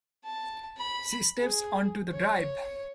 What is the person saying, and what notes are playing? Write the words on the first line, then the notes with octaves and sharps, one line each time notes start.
She steps on to the drive.
A5
B5
G#4
C#5